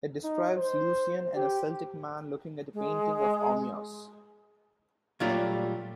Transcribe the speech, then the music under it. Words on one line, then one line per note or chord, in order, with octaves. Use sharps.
It describes Lucian and a Celtic man looking at a painting of Ogmios.
D#4
C5
G4
G#3
A#2 F#3 G3 A3 F4